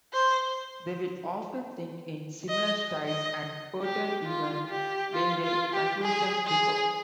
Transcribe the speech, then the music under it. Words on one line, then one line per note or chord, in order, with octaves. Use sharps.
They will often think in similar styles and patterns even when their conclusions differ.
C5
D#5
D#5
G4
F4
G4
F4
F4
G4
G#4
G#4